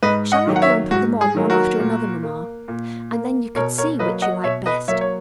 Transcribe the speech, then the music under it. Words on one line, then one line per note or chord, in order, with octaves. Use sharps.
'Shall I go and put them on one after another, mamma, and then you could see which you liked best?'
G#2 B4 D#5
D#5 F#5
D#3 F#3 A#3
F#5
C#5 E5
G#2 F#4
G#4
D#3 F#3 A#3
F#4 A#4
A#2
A#3
A#2
A#3
B2 A#4 C#5
A#4 C#5
F#3 A#3 B4 D#5
D#5 F#5
B2 C#5 E5
B4 D#5
F#3 A#3 C#5 E5
C#5